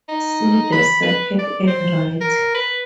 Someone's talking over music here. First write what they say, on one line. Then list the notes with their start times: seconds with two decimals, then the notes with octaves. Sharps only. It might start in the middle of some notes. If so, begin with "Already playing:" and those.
See the circuit at right.
0.09 D#4
0.72 B5
1.02 B4
1.38 D5
1.67 C5
2.21 A#4
2.55 B4